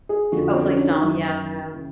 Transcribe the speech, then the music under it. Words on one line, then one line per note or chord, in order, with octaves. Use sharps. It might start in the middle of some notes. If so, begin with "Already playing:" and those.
Oh, please don't, yeah, no.
G#4
F2 D3 F3 F#4
C4
C#4
D4
D#4
F#2 D#3 E4
C#3 E3